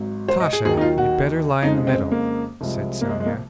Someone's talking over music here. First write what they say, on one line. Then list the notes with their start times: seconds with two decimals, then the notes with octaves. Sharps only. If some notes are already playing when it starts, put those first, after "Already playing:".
"Natasha, you'd better lie in the middle," said Sonya.
Already playing: G#1 G#2 F#3
0.28 C5
0.40 D#5
0.53 G#4
0.65 D#2 D#3 F#3 G#4
0.77 D#4
0.81 F4
0.98 F#4
1.63 F2 C#3 G#3 D#4
1.87 C4
2.12 A#3
2.61 C2 C3 F3 G#3
3.01 A#3
3.09 G#3
3.20 G#3
3.26 A#3